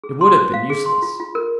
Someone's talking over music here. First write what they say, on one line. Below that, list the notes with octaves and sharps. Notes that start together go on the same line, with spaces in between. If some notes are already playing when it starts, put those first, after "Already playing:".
It would have been useless.
G#4
C6
C5
F5
G#4
C6
F4
F4
A#4